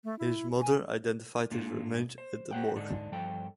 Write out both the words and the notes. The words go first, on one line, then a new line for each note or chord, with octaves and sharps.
His mother identified his remains at the morgue.
A3
E4
G#5
G#2 A3 A#3 D4 F4
C5
G4 C5 F#5 G5
G#2 D3 D4 D#4
G2 F3 A4 G5